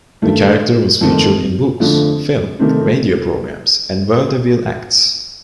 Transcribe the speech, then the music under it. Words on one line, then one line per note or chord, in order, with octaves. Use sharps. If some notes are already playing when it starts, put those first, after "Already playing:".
The character was featured in books, film, radio programs and vaudeville acts.
G2 D#3 A3
F2 D#3 A3 C4
F2 D3 F3 A3
C3 D#3 A3 C4